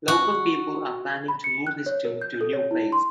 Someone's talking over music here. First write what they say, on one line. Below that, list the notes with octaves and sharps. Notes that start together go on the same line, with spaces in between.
Local people are planning to move his tomb to new place.
F#4
B5
C#7
F#6
C#5
A#4
G6
A4
C#5
E4
C6